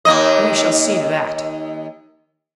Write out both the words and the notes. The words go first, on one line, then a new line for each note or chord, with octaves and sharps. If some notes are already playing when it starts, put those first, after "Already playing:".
"We shall see to that."
D#2 A#3 D#5